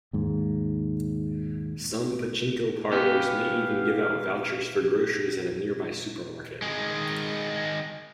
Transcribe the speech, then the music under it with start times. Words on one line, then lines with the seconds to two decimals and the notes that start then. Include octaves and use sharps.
Some pachinko parlors may even give out vouchers for groceries at a nearby supermarket.
0.13 D#2 G#2
2.92 B3 C#4 G4 F5
6.62 D#3 G#3